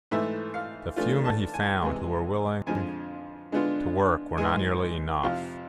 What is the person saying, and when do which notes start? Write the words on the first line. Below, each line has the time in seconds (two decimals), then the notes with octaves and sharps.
The few men he found who were willing to work were not nearly enough.
0.11 G#2 E3 A3 E4 E5
0.54 F5
0.96 E3 A3 D4 F4
1.25 A5
1.54 G#5
1.82 C3 E3 G#3
2.67 F2 D3 F3 G#3 G#5
3.52 D3 G#3 B3 D4 F4
4.38 G#2 E3 G#3 G#5
5.23 F2 C3 F3 F5